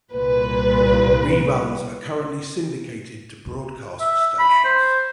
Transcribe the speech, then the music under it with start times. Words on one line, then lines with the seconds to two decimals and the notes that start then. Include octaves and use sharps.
Reruns are currently syndicated to broadcast stations.
0.13 C2 A#2 B4
4.01 E5
4.39 B5
4.65 C5